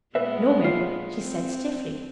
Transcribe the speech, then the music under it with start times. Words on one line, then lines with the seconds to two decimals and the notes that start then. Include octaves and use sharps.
"No, ma'm," she said stiffly.
0.15 A#2 G#3 B3 B4 E5
0.65 F4
1.17 C4